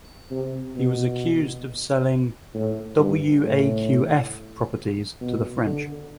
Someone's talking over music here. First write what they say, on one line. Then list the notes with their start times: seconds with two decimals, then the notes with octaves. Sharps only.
He was accused of selling "waqf" properties to the French.
0.31 C3
0.76 B2
2.54 A2
2.99 G2
3.43 A2
5.21 B2
5.66 D3